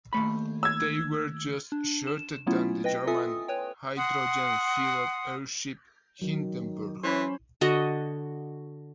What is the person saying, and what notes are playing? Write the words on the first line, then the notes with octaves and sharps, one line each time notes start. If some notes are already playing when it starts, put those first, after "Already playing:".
They were just shorter than the German hydrogen-filled airship "Hindenburg".
D#2 A3 B5
E6 G#6
D4
E7
F#3 A3 B3 C#4 E4 F4
B4 D#5 G5 A#6
F4 A4 E5 G#5 D#6
B4 C#5 G5
F#5 C6 D#6
D#3 F#3
E3 C#4 C5 C#5 B5
D3 F#4 D#5